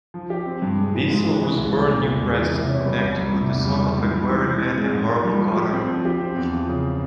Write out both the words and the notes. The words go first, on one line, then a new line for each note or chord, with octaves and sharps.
Bissell was born New Preston, Connecticut, the son of a quarryman and marble-cutter.
F3
G4
C4
G2
G#3
E3
G#2
G#3
E3
C2
G#3
A#2
E2
G#3
E3
C3
C#4
G3
C2
G3
C3
E2
G3
E3
G#2
G3
E3
E3
C4
G#3
G#2
A#3
G3
F3
G4
C4
F3
G4
C4
E2
F3
C#3